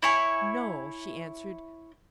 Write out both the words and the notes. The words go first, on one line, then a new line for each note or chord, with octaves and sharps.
"No," she answered.
E4 C#5 G#5